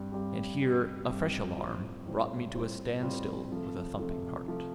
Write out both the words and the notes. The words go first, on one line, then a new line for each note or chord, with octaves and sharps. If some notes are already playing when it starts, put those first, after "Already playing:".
And here a fresh alarm brought me to a standstill with a thumping heart.
Already playing: G2 G3 C4 G4
G2 G3 C4 G4
G2 G3 C4 G4
G2 G3 C4 G4
A2 G3 C4 F4 C5
A2 G3 C4 F4 C5
A2 G3 C4 F4 C5
A2 G3 C4 F4 C5
C3 F3 A3
C3 F3 A3
C3 F3 A3